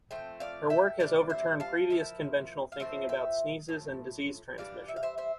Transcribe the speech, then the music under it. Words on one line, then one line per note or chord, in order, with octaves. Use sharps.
Her work has overturned previous conventional thinking about sneezes and disease transmission.
F3 A3 C4 G5
D5 F5
E5 G5
C3 G3 D4 D5 F5
C5 E5
F5 A5
F3 A#3 E4
F5
A2 F3 C4 C5 E5
E5 G5
A2 F3
E3 G3 D4 D5 F5
E5
F5
C5 E5
C5 E5